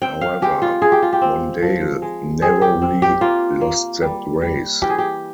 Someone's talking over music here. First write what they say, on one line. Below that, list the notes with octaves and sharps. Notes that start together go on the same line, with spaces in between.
However, Mondale narrowly lost that race.
C4 G5
F5
G#3 G4
F4
G#3 G#4
G4
F4
G4
C4
F3
G#3
C4 G#4
G4
C4
G4
A#3 F4
A#3
G3
G3
E3 G4
G#4
G4